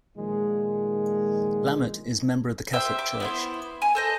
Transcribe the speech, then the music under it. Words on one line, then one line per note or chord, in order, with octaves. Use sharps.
Lammert is member of the Catholic Church.
A#2 D#3 F3 G#3
G4 C5 E5
D6
B3 E4 C5
G#5
A4 C5 D#5